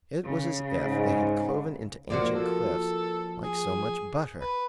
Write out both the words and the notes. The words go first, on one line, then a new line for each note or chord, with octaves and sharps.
It was as if they had cloven into ancient cliffs like so much butter.
C#3
G#2
F3 A#3 F#4 D5
A4
G#4
B4